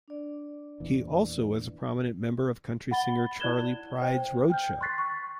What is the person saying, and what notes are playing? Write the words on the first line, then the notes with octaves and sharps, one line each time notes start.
He also was a prominent member of country singer Charley Pride's road show.
D4 D5
E2 A#2 E3
F#5 B5 A6 G7
E4 D5 F#6 G#6 E7 G7
C5 G5
G5 F6 G6
C6 C#6 F#6 A6 B6 C7
C#6